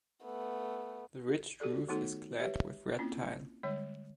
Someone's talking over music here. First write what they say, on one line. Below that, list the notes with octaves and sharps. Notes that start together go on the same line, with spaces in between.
The ridged roof is clad with red tile.
A3 B3
F#4 G4 A4 D5
D#3 A3 B3 D#4 F#4 A4
G4 B4 C#5 E5
A#3 C4 C#4 E4 F4
D3 G3 G#3 C#5